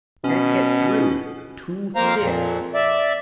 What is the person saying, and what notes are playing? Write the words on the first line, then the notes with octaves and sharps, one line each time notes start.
"Can't get through--too thick!"
B2 C#4
F2 A#3 A#4 C5 F5 A#5
F2 A#2 F3
D5 E5